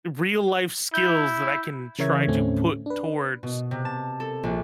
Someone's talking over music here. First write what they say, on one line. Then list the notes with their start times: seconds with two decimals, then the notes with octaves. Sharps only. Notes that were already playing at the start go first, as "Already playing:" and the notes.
real life skills that I can try to put towards
0.94 E4 G6
1.98 C#3 E3 A#4 C#5 E5 G#6
2.27 D#2 A2 D3 A3 C4 C#4
2.86 D4 B4
3.43 B2
3.71 C3
3.85 A5
4.20 A4
4.43 A#1